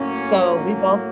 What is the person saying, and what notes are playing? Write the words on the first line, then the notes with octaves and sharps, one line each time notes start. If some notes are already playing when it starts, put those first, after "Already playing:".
so we both
Already playing: A2 F#3 A#3 C#4